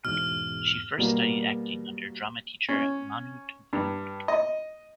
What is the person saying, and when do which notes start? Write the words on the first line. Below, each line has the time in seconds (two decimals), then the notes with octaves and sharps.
She first studied acting under drama teacher Manu Tupou.
0.05 E2 G#2 B2 F6
0.98 B2 G3 A#3 F#4
2.69 C#4
3.73 G2
4.28 D#5